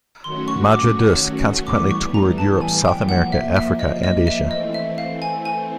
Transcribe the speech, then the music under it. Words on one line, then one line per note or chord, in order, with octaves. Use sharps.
Madredeus consequently toured Europe, South America, Africa and Asia.
D#3 F#3 A3 C#4 F#4 C6
C#6
D6
A2 E3 G3 B3 D6
C#6
A#5
A5
G#5
G5
A#2 F3 A#3 F#5
E5
E5
D#5
D#5
E5
E3 A3 C4 D#5
E5
F5
G#5
G#5